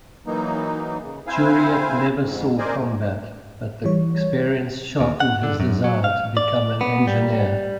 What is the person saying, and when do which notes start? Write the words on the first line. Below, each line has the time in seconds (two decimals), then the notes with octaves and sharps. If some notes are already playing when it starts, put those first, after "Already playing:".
Jureit never saw combat but the experience sharpened his desire to become an engineer.
0.26 E3 F#3 A#3 D#4
1.02 C#3
1.27 C4 E4 C5 F5 G#5
2.23 F2 G#2 C#3
2.58 A#4 C5 D5 D#5 G#5
2.76 G#2 B2 A3
3.84 E3 G3 C#5
5.00 D#2
5.20 F#5
5.43 D3
5.60 F#2
5.84 F#3
6.04 F5
6.37 D5
6.81 B3
7.07 G3